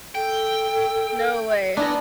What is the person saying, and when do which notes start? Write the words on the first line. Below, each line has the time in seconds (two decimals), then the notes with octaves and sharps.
No way.
0.15 A4 G5
1.77 B3 D4 E4 G#5 A#5